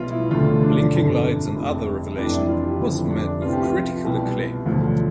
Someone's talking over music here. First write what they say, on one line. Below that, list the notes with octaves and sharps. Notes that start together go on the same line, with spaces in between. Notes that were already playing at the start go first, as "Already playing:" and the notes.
"Blinking Lights and Other Revelations" was met with critical acclaim.
Already playing: B1 B2 G3 B3 E4 F4
E4
E1 D2 D3 A3 F4
D4
G1 F2 D3
F1 F2 C3
F1 F2 E3 G3 D4
E4
F4
G4
F1 F2 D3 F3 E4
D4
C2 C3 F3 B3 F4
G4
F4
C2 B2 G3 B3
E1 D2 D3 F3